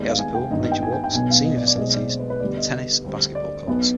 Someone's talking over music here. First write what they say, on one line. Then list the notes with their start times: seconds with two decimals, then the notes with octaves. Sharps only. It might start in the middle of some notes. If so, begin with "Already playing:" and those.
It has a pool, nature walks, senior facilities, and tennis and basketball courts.
Already playing: D#2 D#3 G#3 B3 D5
0.09 F5
0.19 G#5
0.35 G5
0.51 G#1 G2 D#3 B3 D#5
0.61 D#5
0.72 G5
0.83 G#5
0.92 G5
1.04 G5
1.14 B1 B2 B3 G#5
1.31 F5
1.45 D#5
1.57 D5
1.67 D5
1.77 B1 B2 G#3 C4 D#5
1.93 D5
2.09 C5
2.19 B4
2.30 B4
2.40 D2 D3 G3 B3 D5
2.57 D#5
2.72 D#5
3.04 D2 D3 G3 C4
3.35 D5
3.67 B1 B2 B3